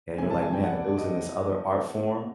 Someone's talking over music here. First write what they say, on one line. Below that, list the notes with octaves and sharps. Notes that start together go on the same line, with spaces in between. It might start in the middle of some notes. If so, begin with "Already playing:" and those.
and you're like, "Man, if it was in this other art form,"
C3 E3 G#3 C#4 E4 G#5
A5
G#5
G5
F#5
D5
D5
D#5
D#5